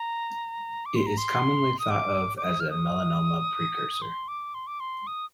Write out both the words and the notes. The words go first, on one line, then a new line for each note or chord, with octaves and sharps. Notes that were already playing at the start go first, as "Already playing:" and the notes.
It is commonly thought of as a melanoma precursor.
Already playing: A#5
D6
C6
A#5
C6
D#6
D6
D6
D#6
F6
D#6
C6
D6
C6
D6
C6
D#6